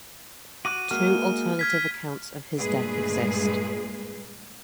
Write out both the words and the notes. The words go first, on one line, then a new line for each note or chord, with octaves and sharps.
Two alternative accounts of his death exist.
F#4 D6 F#6 D#7
G#3 A#3 F#4 F6 D#7
F6 G#6 B6
G2 A#2 G#3 A3 G#4 B4